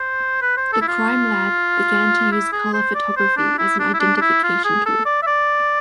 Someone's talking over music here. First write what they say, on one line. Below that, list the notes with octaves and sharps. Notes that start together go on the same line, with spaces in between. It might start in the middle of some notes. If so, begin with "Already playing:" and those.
The Crime Lab began to use color photography as an identification tool.
Already playing: C5
B4
C5
A4
E4
F4
E4
G#4
C5
D5
C5
D4
E4
D4
E4
D4
D4
E4
F4
G#4
A4
D5
E5
D5